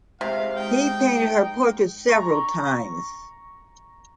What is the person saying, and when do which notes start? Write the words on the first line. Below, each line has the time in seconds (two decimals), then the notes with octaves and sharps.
He painted her portrait several times.
0.21 C3 G#3 F5
0.56 D#4 G5
2.09 A#5 C#6